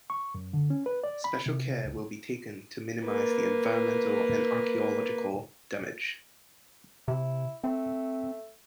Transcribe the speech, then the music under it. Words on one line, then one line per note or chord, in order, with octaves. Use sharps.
Special care will be taken to minimize the environmental and archaeological damage.
C#6
F#2
D3
C#4
B4
D5
B5
C3
C#2
A#3 B4
C3 E4
A3 C4